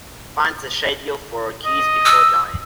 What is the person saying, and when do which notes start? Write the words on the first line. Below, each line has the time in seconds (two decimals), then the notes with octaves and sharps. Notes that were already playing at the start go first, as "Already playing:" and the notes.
Find the schedule for A Kiss Before Dying.
1.65 D#5
2.05 E6